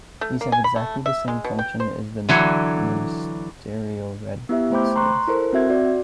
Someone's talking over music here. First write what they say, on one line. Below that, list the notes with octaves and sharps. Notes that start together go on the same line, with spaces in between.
These have exactly the same function as the ministerial red boxes.
A3
A#3
G#5
B5
A3
E5
G#3
B2
G5
C5
D3 E3 F#3
B3 E4 G4 E5
A3 C5 G5 B5 D6 G6
A#5 C6 C#6 F#6
E4 A4 A#4 C5
C4 F#4 E5 G#6
F#4 D5